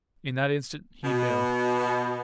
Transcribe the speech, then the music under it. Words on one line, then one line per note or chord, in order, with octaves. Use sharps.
In that instant he knew.
B2